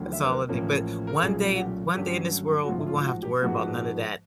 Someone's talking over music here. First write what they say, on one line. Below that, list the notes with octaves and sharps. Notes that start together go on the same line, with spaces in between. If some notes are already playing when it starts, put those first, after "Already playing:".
That's all I need, but one day in one day in this world, we won't have to worry about none of that.
Already playing: F1 D#2 D3 F#3
E5
B4
A#4
A1 A2 F3 A#3 C#4
A#4
A4
B1 A#2 F#3 A3 C#4 G#4
F#4
G4
G2 D3 F#3 A3 C#4 G4
F#4
A1 G#2 F3 F4
E4
F4
F4
F#4
G4
G#2 F3 G#3 B3 F#4